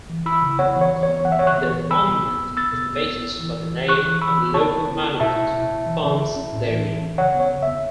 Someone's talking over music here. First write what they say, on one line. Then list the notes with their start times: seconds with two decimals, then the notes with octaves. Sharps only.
The monument is the basis for the name of the local Monument Farms Dairy.
0.10 E3
0.26 E4 B5 E6
0.42 C#3
0.59 B3 C#5 F#5
0.76 E3
0.81 C#5
0.92 E3
1.03 C#5
1.09 B3
1.25 E3 F#5
1.32 E5
1.39 E3 C#5 F#5
1.47 C#6 F#6
1.58 B3
1.75 E3
1.91 B3 B5 E6
2.08 B2
2.24 B3
2.40 B3
2.57 B3 E6 A6
2.73 B2
2.89 B3
3.06 B3
3.22 E4
3.40 E3
3.56 E3
3.72 E3
3.88 E4 C#6 F#6
4.05 E3
4.21 E3 B5 E6
4.38 B3
4.54 B2 A5 C#6
4.72 E4
4.88 B3
5.04 E4
5.20 B2 E5 A5
5.36 E4
5.53 B2
5.70 B2
5.86 E3
6.03 C#4
6.19 E4
6.36 C#4
6.52 A2
6.69 E3
6.86 E3
7.01 C#4
7.18 C#3 C#5 F#5
7.34 B3
7.40 C#5
7.51 C#3
7.63 E5
7.68 B3